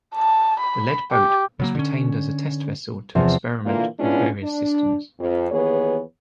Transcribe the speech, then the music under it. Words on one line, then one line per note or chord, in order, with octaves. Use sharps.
The lead boat was retained as a test vessel to experiment with various systems.
A5
B5
G4
C#3 F#3 A#3
D3 C#4
E2 C3 F3
A#2 D3 E3 A#3 F4
G#3 B3 C#4 D4 E4 F4
D4
F2
D#2 E3 B3 G#4 C#5